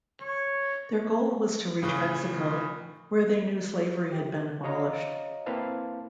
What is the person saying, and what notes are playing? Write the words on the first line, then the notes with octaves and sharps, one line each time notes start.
Their goal was to reach Mexico, where they knew slavery had been abolished.
C#5
A2 C#3 E3 F3
G4
F#4 C#5 D#5 F5 A#5
A#3 C4 E4 B4 F5 A5